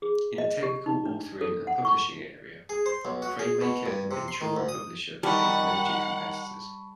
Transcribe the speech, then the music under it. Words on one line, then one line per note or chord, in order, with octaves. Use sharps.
In the technical authoring and publishing area, Framemaker and Ventura Publisher became major competitors.
G#4
D#5
G4
D#4
D4
A4
F#5
C#6
G#4
C5
B1
F#4
G#4
B2
G2
C3
C6
D#3
D2
D#6
D#3 G3 G4 F#5 A5 B5 C#6